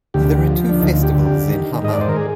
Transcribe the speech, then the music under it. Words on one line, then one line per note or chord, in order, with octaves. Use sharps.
There are two festivals in Haman.
D2 G4
F3
D4
D2 D#4
G4
D3
G4
D#3
G#2 D#5
D5
C5
A#4
G#4